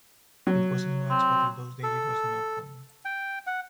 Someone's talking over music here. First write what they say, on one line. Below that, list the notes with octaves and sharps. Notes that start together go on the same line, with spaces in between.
It wasn't much but in those days it was enough for me.
F#3
C4
A4
G5
F#5